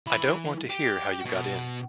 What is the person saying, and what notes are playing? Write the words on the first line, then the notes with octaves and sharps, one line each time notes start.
I don't want to hear how you got in.
E3 B5
G4
B2